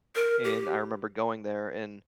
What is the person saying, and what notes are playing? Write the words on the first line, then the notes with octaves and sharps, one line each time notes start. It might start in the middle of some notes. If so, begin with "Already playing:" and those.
and I remember going there, and,
A#4
G4